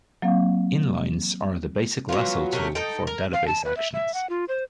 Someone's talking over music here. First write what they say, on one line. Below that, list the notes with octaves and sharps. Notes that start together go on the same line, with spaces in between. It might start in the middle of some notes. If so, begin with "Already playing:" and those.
Inlines are the basic Lasso tool for database actions.
F#3 A#3 C4 F5
F#3 B3 C#4 F4
C3 F#3 A3 A#4
D#4 A4 G5
A#4
F5
A5
B4
E5
E5
F#5
F4
C5